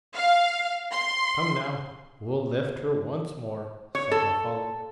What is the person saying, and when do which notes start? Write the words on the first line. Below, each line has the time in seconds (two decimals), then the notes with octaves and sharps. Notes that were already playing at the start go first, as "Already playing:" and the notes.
"Come now, we'll lift her once more," said my father.
0.15 F5
0.93 C6
3.95 C#5
4.11 A4